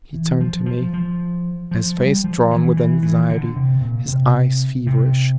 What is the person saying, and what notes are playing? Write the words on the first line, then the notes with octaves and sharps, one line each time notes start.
He turned to me, his face drawn with anxiety, his eyes feverish.
E3
F3
F3
F3
F3
G3
F3
E3
E3
E3
D3
C3
A#2
C3
C3